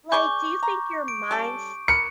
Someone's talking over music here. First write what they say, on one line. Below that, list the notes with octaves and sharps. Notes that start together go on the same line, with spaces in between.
Like, do you think your minds
G#4 D5 G#5 C#6 D6 G6
A#5
D7
G3 C#4 A4
A#4 B5 C#7